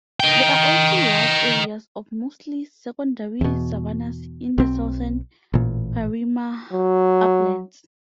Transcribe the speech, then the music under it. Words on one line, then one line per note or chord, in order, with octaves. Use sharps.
There are also large areas of mostly secondary savannas in the southern Parima uplands.
D#5 G5
E2 B2
B1 C4
A1 A#2
F#3